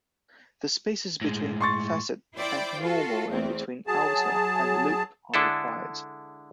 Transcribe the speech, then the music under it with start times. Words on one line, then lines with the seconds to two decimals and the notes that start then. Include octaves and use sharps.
The spaces between "facet" and "normal" and between "outer" and "loop" are required.
1.21 A2 G#3
1.61 C6 C#6 A6
2.36 E4 C5 D5 G5
2.80 F4 F#4 A4
3.30 E2 A3 C4
3.87 F#3 G#4 A5
5.34 D3 G#3 D4 E4 G#4 A4